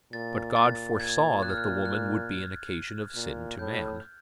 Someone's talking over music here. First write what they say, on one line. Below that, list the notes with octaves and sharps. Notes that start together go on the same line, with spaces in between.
But God foresaw that the woman would be an occasion of sin to man.
A#2 A6
A#2 A6
G#6
F#6
F6
F#6
F#6
A#2
A2 G6